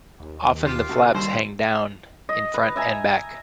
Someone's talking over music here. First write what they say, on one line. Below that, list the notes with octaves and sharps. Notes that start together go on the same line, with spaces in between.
Often, the flaps hang down in front and back.
D#2
F4 G4
C#2 F#4 A4
D#2 G3 C5
D#5
B4
E5 G#5 A#5